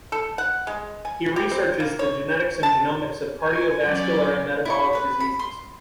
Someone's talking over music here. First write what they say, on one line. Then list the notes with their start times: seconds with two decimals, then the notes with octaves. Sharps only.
He researches the genetics and genomics of cardiovascular and metabolic diseases.
0.12 A4
0.38 F#5
0.67 G#3
1.05 G#5
1.36 G4
1.51 C4
1.80 A#3
1.99 C#5
2.63 A5
3.41 G#5
3.85 F#3 C#4 D5
4.65 E4 G4 C#6
4.93 B4 B5
5.20 B5
5.39 C6